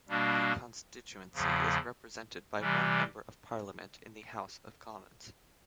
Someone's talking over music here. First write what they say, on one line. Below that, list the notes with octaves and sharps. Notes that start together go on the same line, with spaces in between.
The constituency is represented by one Member of Parliament in the House of Commons.
B2 G3 A#3 D4
E2 C#3 F3
C3 E3 G3